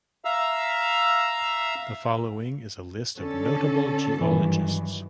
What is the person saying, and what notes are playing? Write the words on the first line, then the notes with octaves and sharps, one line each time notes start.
The following is a list of notable geologists.
E5 F5 A#5 E6
D3 C#4 A4
G2 D#3 E3 F#3